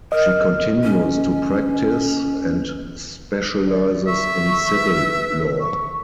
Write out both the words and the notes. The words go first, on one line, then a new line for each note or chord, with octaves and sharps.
She continues to practice and specialises in civil law.
A#4 D#5
C#4
D5
E5 C#6
B4
C#6